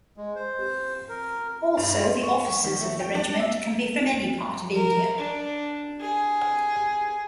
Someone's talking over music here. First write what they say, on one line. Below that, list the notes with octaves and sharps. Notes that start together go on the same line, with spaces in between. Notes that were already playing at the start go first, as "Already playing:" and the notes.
Also the officers of the regiment can be from any part of India.
G#3
C5
A#4
G2
C6
C#6
C#6
D#3
A3
G5
D4
E5
A#4
D4
G#4